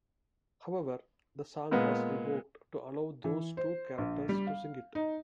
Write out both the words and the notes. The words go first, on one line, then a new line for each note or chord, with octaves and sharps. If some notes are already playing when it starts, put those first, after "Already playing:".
However, the song was reworked to allow those two characters to sing it.
A#2 G#3 B3
E3
C5
A#1
G3
F5
D#4